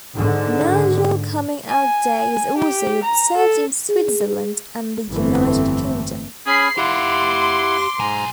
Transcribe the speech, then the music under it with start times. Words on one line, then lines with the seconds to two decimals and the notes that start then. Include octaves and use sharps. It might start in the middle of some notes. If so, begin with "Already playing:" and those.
National Coming Out Day is also observed in Switzerland and the United Kingdom.
0.16 G#2 D3
1.69 G#5
2.58 G4
3.04 A#5
3.37 A4
3.89 G#4
5.09 G1 F2 E3 A3 C4
6.46 C#4 G#4 B5 C7
6.78 E4 G4 F5 F#5 C6 D6
7.99 B1 G#2 G#5 A#5